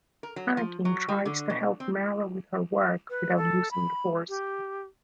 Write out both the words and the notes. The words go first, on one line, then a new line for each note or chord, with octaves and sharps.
Anakin tries to help Mara with her work, without using the force.
A#4
F#3
F3
F#3
G3
D3
B2
C4
B4
A4
B5
G4